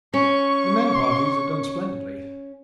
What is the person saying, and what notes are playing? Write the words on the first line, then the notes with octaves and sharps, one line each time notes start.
The men parties have done splendidly.
C#4 C#6